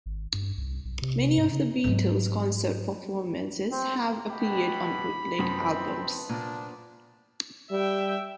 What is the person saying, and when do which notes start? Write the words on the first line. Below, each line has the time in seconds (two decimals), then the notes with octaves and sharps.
Many of The Beatles' concert performances have appeared on bootleg albums.
0.06 G#1
0.34 G2
0.58 C2
0.85 B1
1.02 C3
1.37 G#2
1.52 C#3
1.84 G#2 F#3
3.71 C4
4.29 B2 G4 B5
5.39 F#2 F3 B3 C4
6.29 A#2 D4
7.71 G3 E5 G5